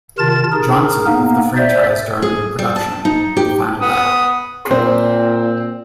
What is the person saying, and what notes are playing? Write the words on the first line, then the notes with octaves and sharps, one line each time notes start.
Johnson left the franchise during production of "The Final Battle".
C3 D#3 F4 A#4 A5 A6
D#4 G#4 A#4
A#3 B3 D#4
C5 D5 E5
G#4
G3
A5
D#4
G4
B3 D#6
A#2 C4 C5